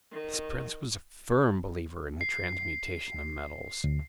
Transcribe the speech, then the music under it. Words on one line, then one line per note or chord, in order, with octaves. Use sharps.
This prince was a firm believer in the transmutation of metals.
D#3
C7
D2